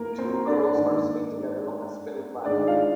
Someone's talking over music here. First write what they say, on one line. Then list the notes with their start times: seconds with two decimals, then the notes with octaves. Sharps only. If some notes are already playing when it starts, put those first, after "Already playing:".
Two girls are sitting together on a spinning platform.
Already playing: A#3 A#4
0.18 C4 C5
0.47 D4 D5
0.75 G#2 D#3 A#3
2.45 G#2 D#3 G#3 D4 D#4 D5
2.67 F4 F5